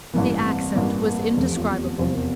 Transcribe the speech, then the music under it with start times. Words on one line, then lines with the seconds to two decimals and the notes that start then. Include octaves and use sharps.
The accent was indescribable.
0.14 A1 G2 E3 A#3
0.44 C4
0.75 A1 G2 E3 A#3
1.06 A#3
1.36 F1 E2 C3 F3 A3
1.57 F4
1.78 G4
1.98 F1 E2 C3 F3 C5
2.13 A#4